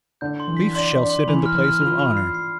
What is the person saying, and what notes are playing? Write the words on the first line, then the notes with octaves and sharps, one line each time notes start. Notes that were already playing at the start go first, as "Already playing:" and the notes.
"Leif shall sit in the place of honor."
D3 G6
C6
E3
B6
D4 C6
C6
D4
C6
E3 B5
F6
E3
F6
F3 B5
B5
C7
C7